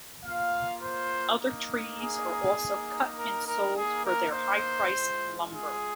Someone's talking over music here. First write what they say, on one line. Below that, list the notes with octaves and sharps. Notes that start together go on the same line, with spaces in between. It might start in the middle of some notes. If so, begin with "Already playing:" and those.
Other trees are also cut and sold for their high-priced lumber.
A#3 F4 F5
C5
A#3 D#4
G#4
A#3 D#4
A#4
A#4
A#3 D#4 G#4
A#4
C5
G#3 F4
G#4